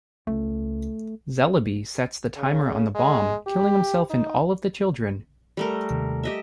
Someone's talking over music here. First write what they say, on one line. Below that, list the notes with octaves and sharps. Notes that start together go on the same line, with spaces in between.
Zellaby sets the timer on the bomb, killing himself and all of the Children.
C#2 A3
C#3
G#3
G4
D#4
G3 A3 A#4
D#2 C3 D#3
G4 D#5 E5